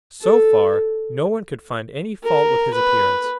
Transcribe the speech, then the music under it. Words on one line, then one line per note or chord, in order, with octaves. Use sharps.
So far no one could find any fault with his appearance.
A4
A#4
B4